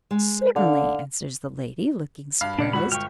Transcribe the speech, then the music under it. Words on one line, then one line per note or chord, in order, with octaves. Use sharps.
"Certainly!" answers the lady, looking surprised.
G#3
D3 F5
G2 F5 B5
A#2 D4 D5 C#7
E1 G#3 F4 F#4 B5
G1 G5 C#6 F6